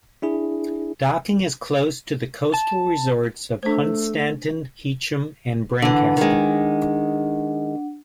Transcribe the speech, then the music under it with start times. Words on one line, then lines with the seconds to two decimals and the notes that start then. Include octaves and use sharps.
Docking is close to the coastal resorts of Hunstanton, Heacham and Brancaster.
0.22 D4 E4 G#4
2.54 A5
3.63 A3 D4 C5
5.82 D3 E3 D4 F#5
6.17 D#3 G#3